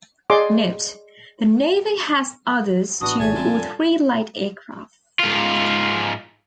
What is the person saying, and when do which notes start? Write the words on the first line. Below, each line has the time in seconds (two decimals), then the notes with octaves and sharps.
Note: The Navy has others two or three light aircraft.
0.30 G#4 D5 D#5 C6 D6
3.01 A1 B3 D4 F#4 D#6
3.19 B1 E2 A#2 G#4 C#5 G#5 A5
3.36 F2 A#2 D3 G3 C4
5.19 G#2 F4